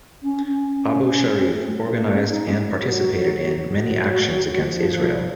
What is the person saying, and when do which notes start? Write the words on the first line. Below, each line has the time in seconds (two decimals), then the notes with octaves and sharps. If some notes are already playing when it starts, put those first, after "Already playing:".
Abu Sharif organized, and participated in, many actions against Israel.
0.22 C#4
0.46 C#4
1.38 C4
1.53 A3
1.68 F#3
1.84 A3
1.99 A#3
2.14 C#4
2.29 D#4
2.45 C#4
2.76 F#3
3.67 F#3
4.59 F3